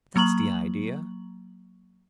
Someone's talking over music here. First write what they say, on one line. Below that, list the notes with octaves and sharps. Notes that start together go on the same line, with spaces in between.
"That's the idea!"
F#3 A#3 A#5 C#6 F#7